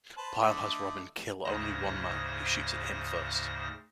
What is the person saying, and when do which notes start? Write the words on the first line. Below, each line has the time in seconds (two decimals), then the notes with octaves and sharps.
Pyle has Robin kill only one man, who shoots at him first.
0.17 B4 C5 A5
0.44 D3 A3 D#5
1.45 D2 G#2 C#3 C5 D#6 A#6